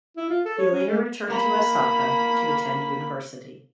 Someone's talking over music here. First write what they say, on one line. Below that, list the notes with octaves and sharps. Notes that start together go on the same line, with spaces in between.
He later returned to Osaka to attend university.
E4
F4
A4
C#5
C#4
G#3
A#3 B5